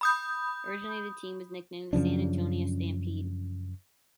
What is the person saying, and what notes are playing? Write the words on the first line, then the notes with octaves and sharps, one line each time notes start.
Originally, the team was nicknamed the San Antonio Stampede.
B5 D#6 G6
F#2 C#3 F3 D4